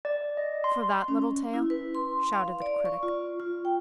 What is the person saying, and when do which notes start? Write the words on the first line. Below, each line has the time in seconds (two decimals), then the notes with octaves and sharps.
"For that little tale," shouted the Critic.
0.05 D5
0.37 D#5
0.64 C6
1.08 C#4
1.54 E4
1.70 B4
1.95 C6
2.33 F5
2.62 D5
2.85 C#6
3.03 F4
3.40 F4
3.65 G5